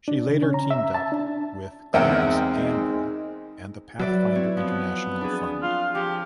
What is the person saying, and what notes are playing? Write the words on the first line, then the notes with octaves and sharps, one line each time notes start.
She later teamed up with Clarence Gamble and the Pathfinder International Fund.
D4
C#3
C#4
A#5
E5
A5
D4
E2 G#3 C4 D#4 A#4 E5 F#5 G5
F#3 B4 D5 E5
C4 E4 C#5
F3 B3
D4 G#4
F4
F3 G4